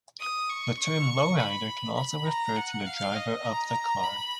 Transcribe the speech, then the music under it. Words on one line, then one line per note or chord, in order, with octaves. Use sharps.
The term "lowrider" can also refer to the driver of the car.
D#6
C#6
C#6
B5
B5
A#5
F#5
F5
D#5
A#5
B5